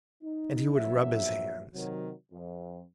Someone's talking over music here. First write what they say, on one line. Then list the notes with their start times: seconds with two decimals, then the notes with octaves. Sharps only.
And he would rub his hands.
0.23 D#4
0.75 A#1 E2 F#3 E5
1.75 C3 D#3 F#3
2.32 F2